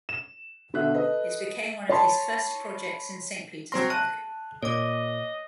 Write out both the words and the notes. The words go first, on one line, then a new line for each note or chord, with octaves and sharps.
It became one of his first projects in Saint Petersburg.
E7
B2 D3 E5 F#6
A4 B4 D#5
C#5 A5 B5 C6
F#3 C4 C6 A#6
A5 F#6 D#7
A#2 C#5 D#5 D6